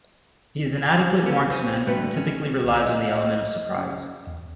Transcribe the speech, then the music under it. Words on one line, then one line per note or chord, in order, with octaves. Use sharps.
He is an adequate marksman and typically relies on the element of surprise.
A3 B3 C#4 G4 A4
C5 G#5
D3 G3 A3 F#4 B4
C#4
C2
D#5
D#5
C#4
E2